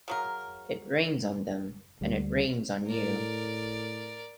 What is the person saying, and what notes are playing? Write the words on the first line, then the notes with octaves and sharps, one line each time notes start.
It rains on them and it rains on you.
C#3 F#3 A#4
D2 G3
A2 A#4 D5